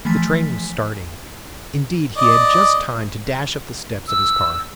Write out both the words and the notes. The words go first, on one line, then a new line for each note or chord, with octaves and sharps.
The train was starting; indeed he had just time to dash up the steps of his car.
E3 F3 A3 G#5 B6
D5 D#5
E6